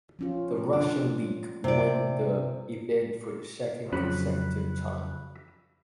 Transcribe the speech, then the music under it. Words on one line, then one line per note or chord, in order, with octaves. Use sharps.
The Russian League won the event for the second consecutive time.
F3 C#4 F4
D4
C3 D5
F2 C#3 F3 F#3 B5 F#6